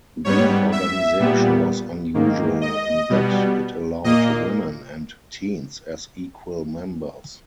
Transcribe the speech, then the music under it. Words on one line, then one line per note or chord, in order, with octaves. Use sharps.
The organization was unusual in that it allowed women and teens as equal members.
G#2 G3 B3 C#5
E5
A#2 G3 B3
G#2 D#3 A#3
D#5
B2 G3 B3
A#2 A#3 D#5